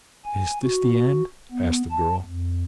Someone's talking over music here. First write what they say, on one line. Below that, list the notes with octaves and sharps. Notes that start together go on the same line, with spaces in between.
"Is this the end?" asked the girl.
G#5
F#4
B3
A5
F2